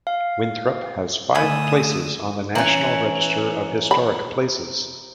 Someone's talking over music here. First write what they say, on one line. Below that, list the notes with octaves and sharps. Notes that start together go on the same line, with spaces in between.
Winthrop has five places on the National Register of Historic Places.
F5
D3 A3 G#5 B5 D#6 E7
E3 C#4 A#5 F#7
B5